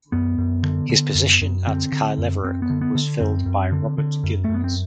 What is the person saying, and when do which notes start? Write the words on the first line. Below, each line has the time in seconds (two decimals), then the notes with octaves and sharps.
His position at Caerlaverock was filled by Robert Gillies.
0.12 F#2 B3
0.38 F#2
0.63 D3
0.90 D3
1.15 F#2
1.41 F#2
1.67 D3 C4
1.92 D3
2.18 F#2
2.44 F#2 C4
2.62 B3
2.70 D3
2.81 B3
2.95 D3
3.20 F#2 C4
3.46 F#2
3.72 D3
3.98 D3
4.23 F#2
4.44 F#2 A3
4.54 B3
4.64 C4